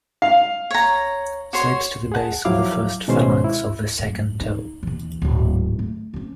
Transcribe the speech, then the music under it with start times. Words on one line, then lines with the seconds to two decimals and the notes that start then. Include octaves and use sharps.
Slips to the base of the first phalanx of the second toe.
0.22 F5
0.71 C#5 A#5
1.53 F#4 C#5 C6
2.12 G#4 F#5 A5
2.45 F3 F#3 E4 F5 D6
3.08 B2 D#3 G#3 C#4 C5 C6
3.44 E4
3.99 F#2 A2
4.41 D#4
4.83 D#2 E3
5.22 D1 G#2
5.79 A3
6.14 C4 C#4